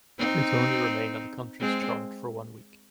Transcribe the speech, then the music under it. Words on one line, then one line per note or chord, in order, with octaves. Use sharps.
It only remained on the country's chart for one week.
C4 D#4
G#3 C4